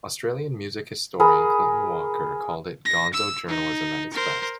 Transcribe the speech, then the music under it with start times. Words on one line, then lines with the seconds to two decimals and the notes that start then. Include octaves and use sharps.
Australian music historian Clinton Walker called it "gonzo journalism at its best".
1.20 G#4 A#4 B5
2.85 A#6
3.13 E6
3.48 D#4
4.13 A#4 C5